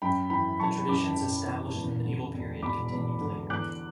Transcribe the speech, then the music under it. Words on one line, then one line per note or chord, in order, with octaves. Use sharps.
The traditions established in the medieval period continued later.
F#2 G5 B5
E3 G5 B5
F#1 A5 C#6
F#1 B5 D6
F#2
E3
E2
D3
E1
E1 B5 D6
E2
D3
E2 D6 F#6